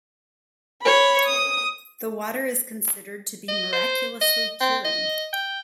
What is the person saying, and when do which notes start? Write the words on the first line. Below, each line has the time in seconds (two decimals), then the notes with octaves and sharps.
The water is considered to be miraculously curing.
0.82 C#5 B5
1.26 D#6
3.48 D#5
3.72 C5
4.21 D#5
4.60 C4
4.85 D#5
5.33 G5